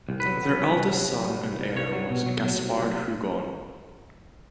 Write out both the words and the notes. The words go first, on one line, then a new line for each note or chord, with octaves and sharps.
Their eldest son and heir was Gaspard Hugon.
C2
B4
F#3
F#3
C2
C2
F#3
C2
C2
C2
C2
C2 C#5
F#3
B2
F#3
F#3
C2
C2